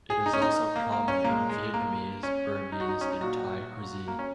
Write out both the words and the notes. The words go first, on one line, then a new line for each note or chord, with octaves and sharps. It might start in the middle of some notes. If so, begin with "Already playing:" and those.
It is also common in Vietnamese, Burmese and Thai cuisine.
G#4
D#4
C#4
D#4
A#3
A#3
C#4
A#2 G#3 A#3
G#3
A#3
C#4
D#4
F#4
D#4
C#4
D#4
A#2 F#3 F#4
A#3
C#4